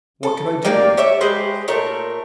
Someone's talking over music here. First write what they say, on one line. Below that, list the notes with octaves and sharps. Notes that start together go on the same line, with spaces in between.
What could I do?
A4
A#3 G4 D5 F5
G4 C#5 E5
G#3 G4 B4 C5
A#2 A3 A#4 C#5